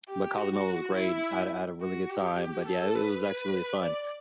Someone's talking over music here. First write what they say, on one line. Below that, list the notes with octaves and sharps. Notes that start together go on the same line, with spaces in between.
but Cozumel was great. I had I had a really good time, but yeah, it it was actually really fun.
G4
F#4
E4
F#4
G4
A4
B4
D5